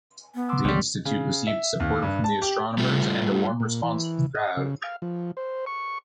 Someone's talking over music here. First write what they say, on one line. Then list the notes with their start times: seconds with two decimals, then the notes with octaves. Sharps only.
The institute received support from the astronomers and warm response from the crowd.
0.35 B3
0.49 C6 D6 E6
0.65 C#2 G3 C6 C#6 F6
1.05 C#3
1.47 E5
1.80 D#2
2.02 G2
2.24 A5
2.42 G4
2.78 G3 A3 F4
3.60 A#2
3.83 E3
4.35 D#5
4.57 C#3
4.84 F5
5.02 F3
5.37 C5
5.66 C#6